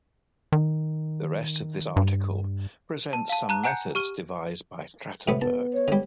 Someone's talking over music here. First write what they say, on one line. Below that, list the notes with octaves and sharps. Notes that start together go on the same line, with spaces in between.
The rest of this article presents some methods devised by Trachtenberg.
D#3
G2
A5
F5 A5
A5 A#5 F#6
F#5 G#5 A#5 F#6 G6 C#7
G4 C#6 F6 D#7 G7
A2 C3 B3
B3 A5
C#5
D3 G3